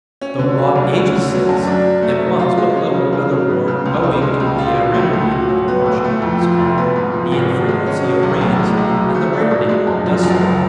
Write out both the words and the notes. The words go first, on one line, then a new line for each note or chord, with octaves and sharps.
Though wrought ages since, it was but little weather-worn owing to the aridity of the Martian atmosphere, the infrequency of rains, and the rarity of dust storms.
C#4
D3
F#3
D2
C#4
D3
F#3
F#2
D4
F#3
A3
B2
F4
G#3
C#4
C#3
C#3
F#3
B3
C#3
C#2
C#3
G#3
C#2
F4
B2
A3
C#2
F#4
F#3
B3
A2
A3
F2
F3
F1
B3
G#2
F3
G#1
B2
G#3
C#4
B2
B1
A2
G#3
B1
B2
A3
D4
B2
G#3
F#2
F3
F#1
C#2